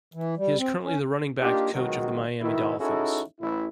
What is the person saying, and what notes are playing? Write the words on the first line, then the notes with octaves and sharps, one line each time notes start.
He is currently the running backs coach of the Miami Dolphins.
E3
G3
C4
C#4
A#3 D4 D#4 F4 G4
C#2 B2 D#3 F#3 G#3 F#4
B2 D#3 E4
C#4 D#4 E4 F#4 G#4 A4
A1 E4